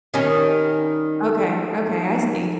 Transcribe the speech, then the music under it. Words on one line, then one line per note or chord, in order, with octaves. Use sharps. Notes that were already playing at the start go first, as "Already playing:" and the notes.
Okay. Okay, I see.
D#3 G3 C#4